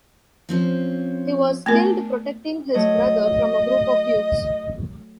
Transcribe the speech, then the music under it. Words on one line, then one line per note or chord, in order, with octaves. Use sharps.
He was killed protecting his brother from a group of youths.
F3 C4 C#4
A3 B3 D4 A#4
F#3 A3 C#5 D#5